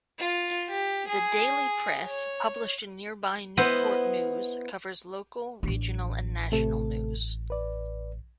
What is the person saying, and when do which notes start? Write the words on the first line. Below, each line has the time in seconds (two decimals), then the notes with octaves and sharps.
The "Daily Press", published in nearby Newport News, covers local, regional and national news.
0.19 F4
0.69 G4
1.09 G#4
2.07 C#5
3.57 B3 E4 C5 D#5
5.63 A1 D4
6.52 C3 A3 A4
7.50 B4 D5